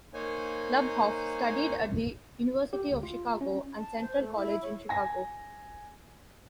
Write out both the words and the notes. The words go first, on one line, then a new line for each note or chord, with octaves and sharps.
Luboff studied at the University of Chicago and Central College in Chicago.
A#3 D#4 C5 C#5 G#5
G4
D2
F4
C#4
A5
C5
A3
E4
C#5
G#5 A#6